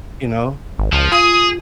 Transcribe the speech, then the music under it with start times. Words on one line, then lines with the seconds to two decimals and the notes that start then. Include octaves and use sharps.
you know?
0.79 G#1
0.93 C#2 F3
1.12 F4 G#4 D#6